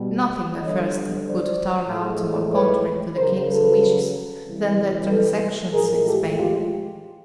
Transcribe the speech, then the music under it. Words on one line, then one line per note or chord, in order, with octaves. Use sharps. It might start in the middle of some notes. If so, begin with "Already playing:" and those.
Nothing at first could turn out more contrary to the king's wishes than the transactions in Spain.
Already playing: B2 G3
D3 G3 C#5 D#5
C5 D5
A2 F3 G#3
B4 C#5
C#3 F#3 A#4 C5
A4 B4
C3 E3 G3
A4 B4
A2 F3 G#3 G#4 A#4
G4 A4
F4 G4